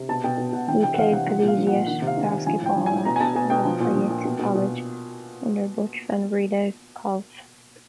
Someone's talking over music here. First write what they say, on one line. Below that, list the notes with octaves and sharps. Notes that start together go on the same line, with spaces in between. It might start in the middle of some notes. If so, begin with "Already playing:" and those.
He played collegiate basketball at Lafayette College under Butch Van Breda Kolff.
Already playing: C3
B2 A5
B2 G5
B2
B2 F#5
E3 G5
C3 G5
F#5
E3 F5
C3 F#5
F3 F#5
A#2 F5
F3
F#5
A#2
D#3 F#5
C3 F5
D#3
G#5
C3
F3 G#5
A2 G5
F3
G#5
A2
B2 A#5
G#5
B2 A5
B2 G#5
B2 G5
F3
A#2
F3
A#2
B2
B2
B2